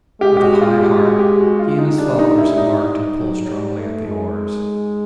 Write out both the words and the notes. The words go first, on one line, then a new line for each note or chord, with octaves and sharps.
With a high heart he and his followers embarked and pulled strongly at the oars.
G#3 G4
G4
F#4
F4
G4
F#4
G4
F#4
F4
D#4
G3 D4
D#4
E4
D#4
F#3
G3
A3
G#3